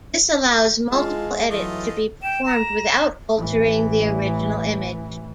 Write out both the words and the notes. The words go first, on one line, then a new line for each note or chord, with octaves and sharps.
This allows multiple edits to be performed without altering the original image.
E3 G#3 F4 F5 A5
E3 F#3 A3 F4 D#5
G5 E7
A#5
A1 E3